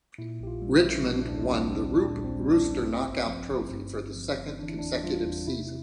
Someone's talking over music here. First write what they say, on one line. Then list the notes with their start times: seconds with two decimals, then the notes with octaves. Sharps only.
Richmond won the Roope Rooster knockout trophy for the second consecutive season.
0.18 A#2 E4
0.40 A#1 G4
0.47 F4
0.62 G3
0.77 E4
0.85 A#1
1.07 C3 D4
1.22 E4
1.28 D2 D4
1.45 D4
1.50 G3 C4
1.73 D2 C4
1.95 A#2 D4
2.16 A#1
2.24 C4
2.39 G3
2.53 D4
2.61 A#1
2.82 G2 C4
3.05 G1
3.26 F3
3.49 G1
3.71 G2
3.93 G1
4.15 F3
4.37 G1
4.59 E3 D4
4.69 E4
4.79 E2 D4
5.03 G3 F4
5.25 E2
5.47 C3 E4